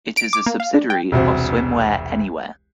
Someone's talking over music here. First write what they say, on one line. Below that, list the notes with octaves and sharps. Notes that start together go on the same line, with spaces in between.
It is a subsidiary of Swimwear Anywhere.
D7
D6
A#3
F5
D4
G5
E1 C2 F#4 C5